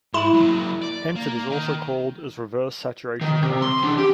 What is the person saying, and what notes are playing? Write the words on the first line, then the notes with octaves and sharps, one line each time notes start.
Hence it is also called as reverse saturation current.
G#2 E4
F#3 A#3
D5
A#3
D#3
D#3
C3
C6
E3 D4
G4